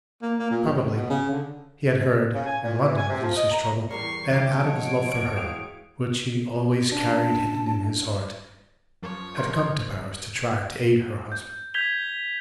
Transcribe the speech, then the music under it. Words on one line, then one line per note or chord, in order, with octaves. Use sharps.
Probably he had heard, in London, of Lucie's trouble, and out of his love for her, which he always carried hidden in his heart, had come to Paris to try to aid her husband.
A#3
A#3
A#2
G2
A2
B2
C#3
D3
C#3
G#5
A#2
E3
G#5
C3
F3
D#5
A#5
E2 G3 A#4 D5 C#6 C7
D3 G4
F3 C#5 D#5 F#5 A5 D7
E3 G#3 F#4 G#4 F5 G5 D#6
C#4 D4 A5
F#2 F3 C#5
A#4 C5 F#5
G6
G6 G#6 B6 F7 G7